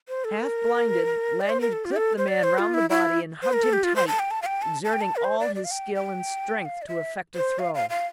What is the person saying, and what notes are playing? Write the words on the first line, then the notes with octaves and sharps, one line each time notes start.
Half blinded, Lanyard clipped the man round the body and hugged him tight, exerting all his skill and strength to effect a throw.
C5
A4
A#4
D5
C5
A#4
A4
F4
G4
A4
C5
D5
C5
F4
E4
E4
C5
A#4
A4
G4
F4
C5
A5
G5
A5
F5
G5
A5
A5
G5
A5
A#4
C5
D5
D5
F5
G5
G5
F5
D5
E5
C5
F5
F5
F5